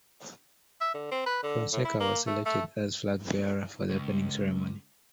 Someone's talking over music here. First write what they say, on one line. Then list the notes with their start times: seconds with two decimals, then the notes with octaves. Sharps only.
Fonseca was selected as flag bearer for the opening ceremony.
0.81 E5
0.94 D3
1.12 C4
1.26 B4
1.43 D3
1.73 A2
1.85 E4
2.00 A#3
2.27 A3
2.46 A3
3.90 C#2